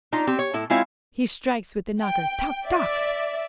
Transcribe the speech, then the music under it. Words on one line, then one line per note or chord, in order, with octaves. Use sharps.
He strikes with the knocker: 'Toc! toc!'
D4 D#4 F4
C4 G4
C#5
A2 E4 A4
G#3 C4 E4 F4 C#5 F5
G5
D5 E5